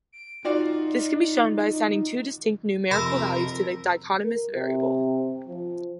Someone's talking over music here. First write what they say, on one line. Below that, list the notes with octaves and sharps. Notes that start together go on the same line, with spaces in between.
This can be shown by assigning two distinct numerical values to the dichotomous variable.
D7
D#4 F4 F#4 D5
F2 C3 A#4 B5 C6 E6
A#4
C3
F3